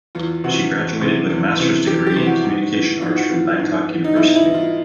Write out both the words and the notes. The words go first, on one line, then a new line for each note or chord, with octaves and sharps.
She graduated with a master's degree in communication arts from Bangkok University.
E2 F4
C3 E3 F#4
E2
C3 E3
E2
C3 E3
E2 G4
G4
C3 E3
F#4
G#2
E3
G#2 F4
F#4
E3 F4
G#2
E3
D#4
G#2 E4
E4
E3
F4